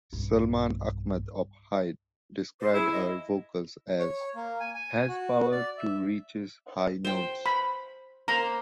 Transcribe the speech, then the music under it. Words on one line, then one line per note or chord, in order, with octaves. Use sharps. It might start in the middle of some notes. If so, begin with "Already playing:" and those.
Salman Achmad of "Hai" described her vocals as "has power to reaches high notes".
B1 G2
C5
E4 G#4
D#5
C#5
A#3
G#5
G#5
F#4
D5
E5
C5 G5
B5
A#3 C5 A#5 B5